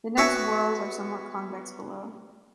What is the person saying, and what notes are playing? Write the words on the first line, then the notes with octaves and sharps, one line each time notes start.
The next whorls are somewhat convex below.
B3 F#4 B4 C#5 E5